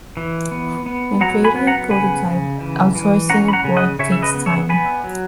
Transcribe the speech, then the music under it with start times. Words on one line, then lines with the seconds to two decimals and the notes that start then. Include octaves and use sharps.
When creating a prototype, outsourcing a board takes time.
0.17 E3
0.51 B3
0.86 B3
1.21 F#3 F#5 A#5
1.44 G#5 B5
1.56 B3
1.67 F#5 A#5
1.90 C#3 G#5 B5
2.25 C#3
2.60 E3
2.95 E3
3.30 C#4 F#5 A#5
3.48 B5
3.53 F#5 A#5
3.65 C#3
3.77 D#5 F#5
3.99 C#3 C#5 E5
4.12 E5
4.22 B4 D#5
4.34 B3
4.46 C#5 E5
4.69 B3 G#5 B5
5.04 F#3